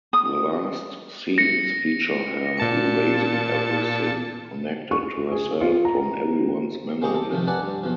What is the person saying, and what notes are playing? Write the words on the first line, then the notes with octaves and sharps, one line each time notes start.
The last scenes feature her erasing everything connected to herself from everyone's memories.
D#6
A#6 C#7
A#2 A5 C#7
C#6
G#4
F4
A#5
G#3 A#3 C4 G4 C#6 D#6
A4
C3 D#3 F3 A3
A4 B4 D5 F#5 G#5
G2
E2 B2 F3